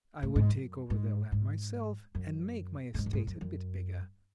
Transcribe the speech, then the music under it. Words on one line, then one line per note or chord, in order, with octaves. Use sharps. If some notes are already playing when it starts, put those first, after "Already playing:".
I would take over their land myself, and make my estate a bit bigger.
A2
G#2
F#2
G#2
G#2
F#2
A2
G#2
F#2
G#2
F#2
F#2